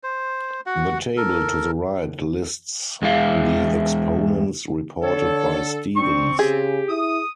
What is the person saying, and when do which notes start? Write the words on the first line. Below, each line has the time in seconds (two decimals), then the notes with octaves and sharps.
The table to the right lists the exponents reported by Stevens.
0.03 C5
0.66 F#4 F#5
1.17 A4 A#4
3.02 E2 G#3 E4 F5
5.02 D3 A4 C#5
5.96 C4 D4 C#6
6.39 C#3 G4 G#4
6.89 E4 D#6